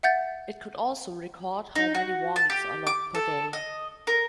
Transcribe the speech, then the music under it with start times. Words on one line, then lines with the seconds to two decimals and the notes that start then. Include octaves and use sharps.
It could also record how many warnings are logged per day.
0.03 E5 F#5 G6 A6
1.75 D#4
1.95 F#4
2.36 A5
2.50 G4
2.87 D6
3.15 A4
3.53 D#5
4.07 A#4